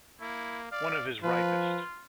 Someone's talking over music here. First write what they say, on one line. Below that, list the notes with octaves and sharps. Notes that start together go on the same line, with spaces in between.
One of his ripest.
A#3 E4
D5 F5
F3 F4 B4